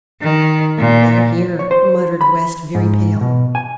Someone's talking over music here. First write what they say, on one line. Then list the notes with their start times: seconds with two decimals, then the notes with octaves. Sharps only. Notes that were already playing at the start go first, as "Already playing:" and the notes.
"They are here," muttered West, very pale.
0.22 D#3
0.78 A#2
1.59 C#5
1.71 C5
2.21 B5
2.75 G#2
3.21 B2
3.55 G#5